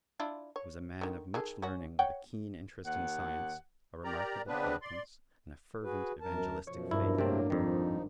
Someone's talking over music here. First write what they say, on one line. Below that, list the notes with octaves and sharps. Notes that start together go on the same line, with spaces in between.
"He was a man of much learning, with a keen interest in science, a remarkable eloquence, and a fervent evangelistic faith."
D4 E4 F4
C#5
D3 D#3
D#3 G#4 A4
C#4 F#4
C#5 F#5 G5
D#2 F#5
G4 A#4 D5 A#5
C#3 B3 C4 D4 B4
D5 C6
F#4 G#4 B4
F#2 A#4 A5
F#2 B2 F3 C#5
G2 E4 A#4
A2 C3 F#3 A3 A#3 C4 D4 D5
G#1 F2 D#3 F3 D#4